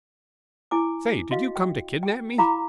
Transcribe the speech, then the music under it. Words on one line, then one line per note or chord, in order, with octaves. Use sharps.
"Say, did you come to kidnap me?"
E4 G#5 D6
F#4 D#5 F5
G5
G5
E4 F5 A#5 B5 D6